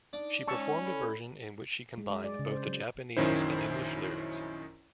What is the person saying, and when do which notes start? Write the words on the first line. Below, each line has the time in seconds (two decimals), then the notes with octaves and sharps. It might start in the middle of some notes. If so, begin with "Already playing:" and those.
She performed a version in which she combined both the Japanese and English lyrics.
0.13 D4 D#4
0.48 G#3 C#4 D#4 A5 C#6 E6
0.85 E4 A4 B5
1.98 G#3
2.10 G#3
2.24 D5
2.39 C#3
2.52 C5
2.68 F#3
3.17 A#1 F#2 D#3 C#4 E4 C5